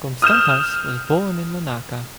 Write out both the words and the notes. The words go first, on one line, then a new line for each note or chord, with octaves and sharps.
Constantas was born in Larnaca.
D#6 F6 G6 E7